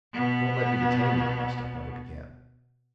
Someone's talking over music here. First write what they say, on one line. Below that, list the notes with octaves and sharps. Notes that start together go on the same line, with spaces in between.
"Don't let me detain you," my stepmother began.
B2 B3